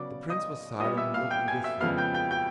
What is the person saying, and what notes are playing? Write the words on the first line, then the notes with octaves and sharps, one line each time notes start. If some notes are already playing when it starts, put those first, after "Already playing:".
The prince was silent and looked indifferent.
Already playing: C#3 F#3 B3 D5 D6
D#5 D#6
A#2 G3 B3 D#5 D#6
E5 E6
F5 F6
G5 G6
G#5 G#6
E5 E6
F2 C#3 F3 G#3 B3 F5 F6
G5 G6
G5 G6
G5 G6